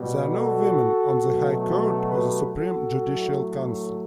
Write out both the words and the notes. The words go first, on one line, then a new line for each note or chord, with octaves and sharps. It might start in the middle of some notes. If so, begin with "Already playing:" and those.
There are no women on the High Court or the Supreme Judicial Council.
Already playing: B2 G3
F#4 A4
B2 F#3 A3
G4 B4
F#4 A4
A2 F#3 A3